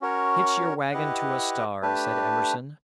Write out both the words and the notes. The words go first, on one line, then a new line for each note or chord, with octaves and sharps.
"Hitch your wagon to a star," said Emerson.
C#4 F#4 A#4 C#5
E4 G4 B4 D#5 F#5
A3 D4 G4 B4